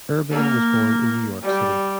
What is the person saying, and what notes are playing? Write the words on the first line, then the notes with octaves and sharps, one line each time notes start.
Erben was born in New York City.
A#3
G3